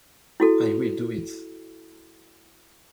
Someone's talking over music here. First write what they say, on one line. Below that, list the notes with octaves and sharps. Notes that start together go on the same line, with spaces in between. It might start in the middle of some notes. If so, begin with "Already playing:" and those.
I will do it.
E4 F#4 A4